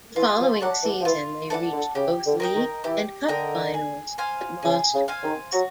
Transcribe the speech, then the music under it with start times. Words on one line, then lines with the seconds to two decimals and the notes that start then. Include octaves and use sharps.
The following season they reached both league and cup finals but lost both.
0.16 E3 F4
0.39 F3
0.61 F#3 A4 D5 F#5
0.83 E3
1.00 F3
1.05 E3 F4
1.50 E3 A4 D5 F#5
1.72 D3
1.95 C#3 G4
2.25 D3
2.40 A#4 D#5 G5
2.54 D#3
2.84 E3 G4
3.28 D3 A#4 D#5 G5
3.74 G#4
4.18 C5 F5 G#5
4.63 C#3 G#4
4.93 C#3
5.08 C5 F5 G#5
5.23 D#3
5.52 F#3 F#4